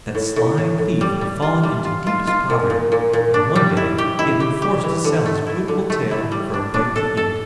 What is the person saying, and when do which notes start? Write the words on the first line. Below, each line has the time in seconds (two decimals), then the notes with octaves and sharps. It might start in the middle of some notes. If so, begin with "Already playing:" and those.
That sly thief had fallen into deepest poverty, and one day he had been forced to sell his beautiful tail for a bite to eat.
0.15 A2
0.36 A2
0.58 A2
0.78 A2
1.01 G3
1.21 G3
1.42 F4
1.63 G3
1.85 F4
2.07 F4
2.27 F4
2.50 A#2
2.70 A#2
2.92 A#2
3.13 A#2
3.34 D4
3.56 G3
3.77 E4
3.98 G4
4.19 E4
4.40 G4
4.62 G4
4.84 E3
5.05 D3
5.26 A3
5.47 E4
5.68 D3
5.90 A3
6.11 E4
6.32 G3
6.54 D4
6.74 D4
6.96 A4
7.17 A4